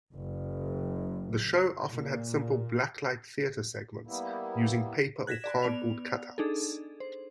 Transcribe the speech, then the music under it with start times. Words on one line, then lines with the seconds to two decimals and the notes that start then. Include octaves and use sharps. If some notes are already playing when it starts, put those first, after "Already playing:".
The show often had simple black light theatre segments using paper or cardboard cutouts.
0.13 F#1
1.90 A#2
4.07 G3 A#3 B3 E4
5.27 F#6 G#6 A#6 B6 E7
5.44 D5
5.62 B3 D5 F7
6.38 D4 D#4 G#4 A4
7.00 C5